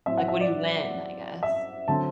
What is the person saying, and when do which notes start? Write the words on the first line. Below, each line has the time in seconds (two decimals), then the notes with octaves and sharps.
Like, what do you win, I guess?
0.06 A2 F#3 C4 E5
0.17 F#5
0.28 E5
0.41 D5
1.43 E5
1.88 D3 F#3 C4 A5